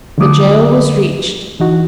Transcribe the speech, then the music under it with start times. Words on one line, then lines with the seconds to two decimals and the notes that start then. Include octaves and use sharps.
The jail was reached.
0.18 D3 F3 F#3 A3 D6 D#6
1.60 E3 D#4 F#4